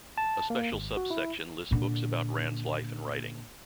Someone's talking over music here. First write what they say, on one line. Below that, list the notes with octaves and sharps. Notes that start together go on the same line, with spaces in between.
A special subsection lists books about Rand's life and writing.
A5
A#3
G#1
F#4
E4
A#2 D3